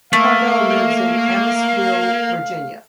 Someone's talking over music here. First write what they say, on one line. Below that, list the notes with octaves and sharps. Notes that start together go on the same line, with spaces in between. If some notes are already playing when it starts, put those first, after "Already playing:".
Pardoe lives in Amissville Virginia.
A3 A#3 F5